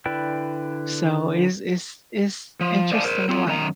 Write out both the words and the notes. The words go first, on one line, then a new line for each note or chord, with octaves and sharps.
so it's it's it's interesting, like
D3 E4 B4 D5 G5
F3
C5 D5 F5 F#5 G#5 A5
A#4 C5
C4 F4
F#2 D#3 A#5